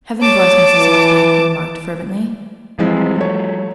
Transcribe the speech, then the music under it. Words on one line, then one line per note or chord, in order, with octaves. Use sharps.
"Heaven bless Mrs. Saxby," he remarked fervently.
C#5 A5 D6
E3
E3 F3 G3 G#3 C4
A3 C#5